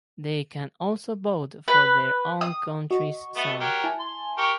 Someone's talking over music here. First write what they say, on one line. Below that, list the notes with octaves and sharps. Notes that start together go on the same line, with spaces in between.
They can also vote for their own country’s song.
B4
D#6
F#4 D#5 C#6
A3 B3
F#3 G4 A#4
E4 G#5 A5
C6
G4 A#4 C#6